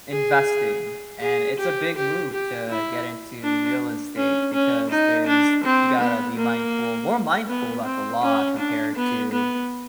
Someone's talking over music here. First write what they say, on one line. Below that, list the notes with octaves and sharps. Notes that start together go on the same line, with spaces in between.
Investing and it's a big move to get into real estate because there's you gotta be mindful more mindful about the law compared to,
G#4
G#4
G4
G4
G4
E4
D4
C#4
C#4
D#4
D4
C4
B3
A#3
B3
C4
C#4
D4
B3
B3